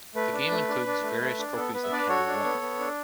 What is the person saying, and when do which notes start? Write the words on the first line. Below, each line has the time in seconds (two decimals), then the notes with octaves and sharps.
The game includes various trophies that can be won.
0.15 A3 B4
0.33 D4
0.51 A3
0.68 D4
0.86 D4
1.03 A3
1.21 A3
1.39 D4
1.56 B3 A4
1.74 B3 B4
1.83 E5
1.91 D4 B4 D5
2.09 F#4 A4 C#5
2.27 D4
2.44 B3
2.62 B3
2.79 D4